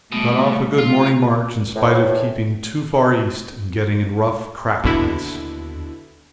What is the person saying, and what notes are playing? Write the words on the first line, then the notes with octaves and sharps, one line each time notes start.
Got off a good morning march in spite of keeping too far east and getting in rough, cracked ice.
B2 G3 A3
F4
E2 A2
D#2 B2 D3 E4